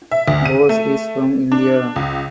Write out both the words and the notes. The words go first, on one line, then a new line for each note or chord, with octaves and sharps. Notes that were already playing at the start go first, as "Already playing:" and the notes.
Bose is from India.
E5
D2
D#7
A3
D4
C#2